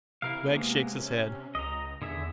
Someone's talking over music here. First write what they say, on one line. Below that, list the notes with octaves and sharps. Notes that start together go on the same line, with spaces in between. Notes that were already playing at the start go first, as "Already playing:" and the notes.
Wegg shakes his head.
C3 E4 A#4 F5
G#3 A#3 B3
C#4
C#2 D#5 A#5
E2 D3 G#4 E5